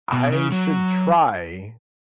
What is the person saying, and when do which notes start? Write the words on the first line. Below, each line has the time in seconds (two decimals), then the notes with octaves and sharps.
I should try
0.13 B2
0.32 C#3
0.52 F#3